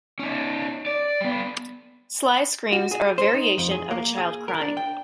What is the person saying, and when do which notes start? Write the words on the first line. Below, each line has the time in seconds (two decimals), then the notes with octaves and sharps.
Sly's screams are a variation of a child crying.
0.19 C#4 D#4
0.86 D5
1.21 G3 B3
2.72 F#4
2.91 G#4
3.18 C5
3.34 D#4
3.58 F2
3.71 G#4
3.91 A#3
4.18 G#4
4.48 A#4
4.61 D4
4.77 G5